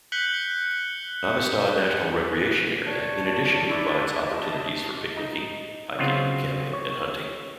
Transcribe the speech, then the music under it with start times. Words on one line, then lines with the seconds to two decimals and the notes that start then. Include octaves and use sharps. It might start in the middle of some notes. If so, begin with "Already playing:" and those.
Amistad National Recreation Area in addition provides opportunities for picnicking, hiking, camping and hunting.
0.12 F#6 G6 B6 C#7 F#7 G7
2.85 C#5 D5 A5
3.68 D4 E4 D5
4.19 D#5 E5 A5
5.17 D#4
5.98 C#3 F#3 B3 C4 F4
6.73 C#5